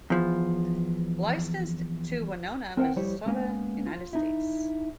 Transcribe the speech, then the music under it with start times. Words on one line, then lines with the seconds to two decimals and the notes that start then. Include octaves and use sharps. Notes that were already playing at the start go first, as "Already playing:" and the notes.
Licensed to Winona, Minnesota, United States.
0.10 E2 F3
2.77 C4 A#4 C5 C#5 F#5 G5
2.96 F3 G3 E4 G4 C5 C#5
3.26 G#3 A#3 B3 C#4
3.86 F4
4.13 D#4 E4